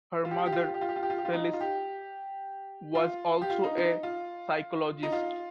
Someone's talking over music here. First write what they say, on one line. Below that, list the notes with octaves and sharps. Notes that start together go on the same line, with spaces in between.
Her mother, Felice, was also a psychologist.
F4
G4
F4
G4
F4
G4
F4
G4
F4
G4
F4
G4
F4
G4
F4
D#4
F4
G4
F4
G4
F4
D#4
D#4
F4
D#4
F4